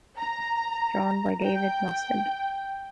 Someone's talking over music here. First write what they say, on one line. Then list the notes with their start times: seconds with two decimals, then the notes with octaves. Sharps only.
Drawn by David Mostyn.
0.18 A#5
1.43 G5